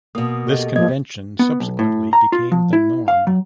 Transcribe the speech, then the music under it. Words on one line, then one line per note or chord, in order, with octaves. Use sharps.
This convention subsequently became the norm.
B2 A#3 D#6
G4 A4 D#5
G2 F3 A#3 D#5 G#6
B3
B1
A2
A#5
F4
F3
E4
F5
F#3